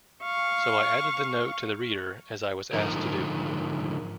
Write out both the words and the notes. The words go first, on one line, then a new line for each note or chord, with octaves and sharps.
So I added the note to the reader as I was asked to do.
F5 C#6
G#2 D3 F3 D#4 A#4